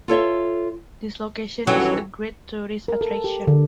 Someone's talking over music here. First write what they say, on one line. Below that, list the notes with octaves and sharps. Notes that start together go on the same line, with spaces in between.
This location is a great tourist attraction.
F4 A4 C#5 E5
G2 D#3 E3 F#3 C#4 F#4 A4
A#4
A4
G4
D3